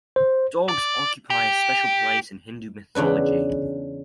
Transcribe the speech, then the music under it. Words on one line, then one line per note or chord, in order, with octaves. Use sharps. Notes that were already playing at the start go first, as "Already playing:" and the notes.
Dogs occupy a special place in Hindu mythology.
C5
D5
G4
E2 C#3 D4 B4